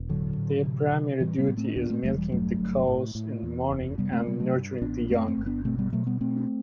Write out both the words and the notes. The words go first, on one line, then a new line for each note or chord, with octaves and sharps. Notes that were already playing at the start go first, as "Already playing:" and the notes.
Their primary duty is milking the cows in the morning and nurturing the young.
Already playing: E1
A2 D3 F#3
A2
C3
C3
A2 E3 G3
G3 B3
A2
A3 C4
D2 B3 D4
A3 C4
E1 F#3 A3
E3 G3
G2 F#3 A3
G1
A2
A2
E2
F#1
C3 G3 B3
A3 C4
C3 G3 B3
F#3 A3
G2
A1 B3 D4
F#2 A3 C4
A3 C4
G1
B3 D4
B2 A3 C4
G3 B3
B2 F#3 A3
G3 B3
B2 A3 C4